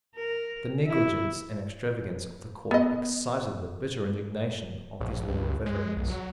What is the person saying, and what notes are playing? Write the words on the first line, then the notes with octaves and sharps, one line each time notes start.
The negligence and extravagance of the court excited the bitter indignation of these loyal veterans.
A#4
E4
B3 D#5
A#1
C#2
G#3
B1
F#3